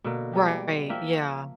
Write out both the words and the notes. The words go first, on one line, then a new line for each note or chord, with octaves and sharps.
Right, yeah.
B2 D3 A#3
G3 G#3 G4
F3 A#3 E5 G5